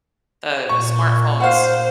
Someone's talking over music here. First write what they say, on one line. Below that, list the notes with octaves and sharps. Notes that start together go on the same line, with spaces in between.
the smartphones
A#2 C#6
C5 F5 F#5